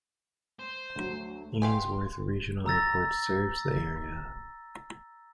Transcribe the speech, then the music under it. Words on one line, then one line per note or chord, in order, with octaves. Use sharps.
Ainsworth Regional Airport serves the area.
C5
D2 F#3
F5 G5 G#5 C6
A#5 E6 A6 A#6